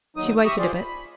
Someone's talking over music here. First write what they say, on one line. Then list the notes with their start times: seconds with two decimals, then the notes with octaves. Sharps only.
'She waited a bit.
0.17 D#2 F#3 D#4 D#6
0.45 G4 E5 A#5 C#6 D#6 E6
0.58 F4 G4 G#4 C5 D5
0.74 B5